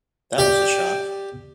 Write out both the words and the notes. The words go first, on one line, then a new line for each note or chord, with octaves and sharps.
That was a shock.
G4 D5 G5